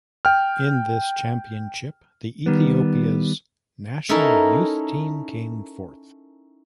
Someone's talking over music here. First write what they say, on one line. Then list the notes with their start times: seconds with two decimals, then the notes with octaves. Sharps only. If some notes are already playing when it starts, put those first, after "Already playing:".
In this championship, the Ethiopia's National Youth team came fourth.
0.25 G5 F6
2.46 D#3 G3 B3
4.09 C#4 D#4 E4 A4 A#4